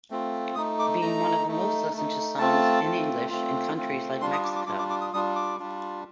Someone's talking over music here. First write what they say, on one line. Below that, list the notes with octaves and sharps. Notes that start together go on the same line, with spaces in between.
Being one of the most listened to songs in English in countries like Mexico.
A3 C4 F4
A3 D#4 D#6
D6
A3 D#4 A#5
A3 D#4
A3 D#4
A3 C4 F4 A5
A3 C4 F4
A3 C4 F4
A3 C4 F4
G3 D4 F4 C6
D#6
D6
D6
G3 D4 F4 D6
D6
D6
D#6
G3 D4 F4 D#6
D6
G3 D4 F4